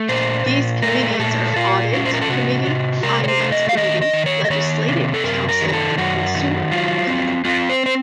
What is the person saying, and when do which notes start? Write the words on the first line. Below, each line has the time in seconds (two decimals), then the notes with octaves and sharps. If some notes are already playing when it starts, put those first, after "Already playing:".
These committees are Audit Committee, Finance Committee, Legislative Council, and Consumer Committee.
Already playing: A3
0.09 A#2 C5
0.46 A#2
0.82 A3 A#4
1.19 A#2 A4
1.56 A#2 F4
1.93 C#4
2.05 C5
2.14 A#4
2.21 A4
2.29 C3 F#4
2.67 C3
3.03 C3 A#4
3.24 C#5
3.28 C5
3.40 A3
3.52 D#5
3.69 F5
3.77 D#3 D#5
4.02 D#5
4.13 D#3
4.26 C#5
4.45 D#5
4.50 D#3 C#5
4.87 C3
5.14 A4
5.24 F#2 A#4
5.49 A#4
5.61 D#3
5.68 A#4
5.73 A4
5.98 F#2 F#4
6.34 D#3
6.71 F#3 F4
7.07 C4
7.45 C4 F4
7.69 C5
7.86 C5